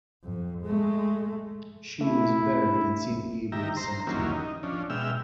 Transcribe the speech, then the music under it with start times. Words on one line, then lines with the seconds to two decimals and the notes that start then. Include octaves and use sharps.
She was buried in St Gabriel’s Cemetery.
0.24 F2
0.62 G#3 A3
2.01 A3 E4
3.52 D#3 G4 E5 A#5
3.77 C5 A#5 C6
4.07 D#3 F#3 G3 A#3 C#4 E4
4.32 D#4
4.63 F3 C#4 D4
4.90 B2 G#3 E5 G5 E6 F6